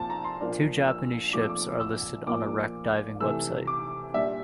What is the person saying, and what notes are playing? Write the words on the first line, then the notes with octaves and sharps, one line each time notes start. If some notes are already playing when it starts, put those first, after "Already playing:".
Two Japanese ships are listed on a wreck diving website.
Already playing: A#2 F3 C4 A5
A#5
C6
A#2 F3 A#3 D4
E6
A#2 F3 A3 C4 D6
E6
D6
E6
A#2 F3 A#3 D6
C3 E3 A3 E6
D6
A#2 G3 D4 E5